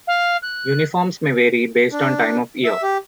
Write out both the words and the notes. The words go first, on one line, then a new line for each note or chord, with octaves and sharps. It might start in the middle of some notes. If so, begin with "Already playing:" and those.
Uniforms may vary based on time of year.
F5
F#6
D4
E5
G4